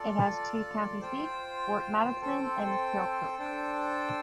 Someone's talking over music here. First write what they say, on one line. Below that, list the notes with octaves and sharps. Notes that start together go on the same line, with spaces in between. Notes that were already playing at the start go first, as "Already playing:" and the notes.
It has two county seats - Fort Madison and Keokuk.
Already playing: F4 A4 D5 A5
F4 C5 G5
C4 A4 C5 G5
D4 A4 C5 G5